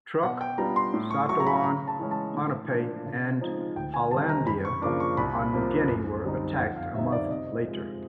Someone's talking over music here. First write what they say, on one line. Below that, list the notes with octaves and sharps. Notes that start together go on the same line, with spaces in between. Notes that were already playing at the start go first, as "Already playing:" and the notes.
Truk, Satawan, Ponape, and Hollandia on New Guinea were attacked a month later.
B2 F#5
G5
G3 B3 D4 F4 A#5
C6
A2
C#6
F#3 A3 C#6
A#5
B5
C#3 A#5
A5
E3 G#3 C#4
A5
A2
F3 A#3 D4 F4
C#3
F3 G#3 C4 D#4
D2 G5
G#5
C3 D#3 G3 C4 A5
A#5
F#2 B5
C#6
C#3 F3 A#3 D4 D6
C#6
C2 B5
C3 F3 A#3
F#2
D3 G3 C4 D#4
F2 F#5
F5
D3 G3 C4 D#4 E5
D5
C3 D#5
F3 G#3